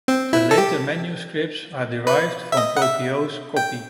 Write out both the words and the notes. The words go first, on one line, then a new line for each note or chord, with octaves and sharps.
The later manuscripts are derived from Poggio's copy.
C4
E4
A4
G4
B4
E5
D#5
F#5
E5
G5